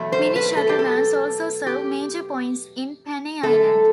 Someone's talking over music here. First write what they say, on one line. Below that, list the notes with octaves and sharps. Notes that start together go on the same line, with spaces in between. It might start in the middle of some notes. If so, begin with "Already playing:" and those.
Mini-shuttle vans also serve major points in Panay Island.
Already playing: E2 B2 F#3 A3
C5
B4
A4
G4
A4
G4
F#2 D3 A3 A4